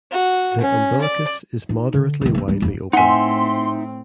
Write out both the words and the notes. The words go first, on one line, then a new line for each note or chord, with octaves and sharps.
The umbilicus is moderately widely open.
F#4
C#4
D5
D#4
D3
C2 D#3
A#3 C4
G3 D4
D#1 F2
A2 C4 D#4 E5 F#5 G#5 C6